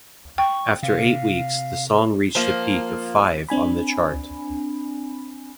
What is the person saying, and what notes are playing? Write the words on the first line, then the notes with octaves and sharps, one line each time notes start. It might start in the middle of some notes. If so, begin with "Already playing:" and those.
After eight weeks, the song reached a peak of five on the chart.
G5 C#6
C3 F5
F3 A#3
C4 D4 G#5 B5